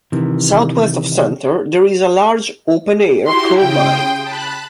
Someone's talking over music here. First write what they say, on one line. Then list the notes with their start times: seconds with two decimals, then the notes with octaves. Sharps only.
Southwest of Center, there is a large open air coal mine.
0.12 C3 D#3 E3
3.27 E4 F#4 G4 C6
3.59 C#3 G5 C6 D#6
4.23 A5 B5 F#6